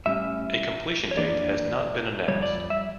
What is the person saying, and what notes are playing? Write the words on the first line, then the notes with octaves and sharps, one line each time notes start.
A completion date has not been announced.
A2 G3 C#4 E5
C#5
F2 E3 A#3 D4 D5
F2 C#3 G3 C#5
D5
E5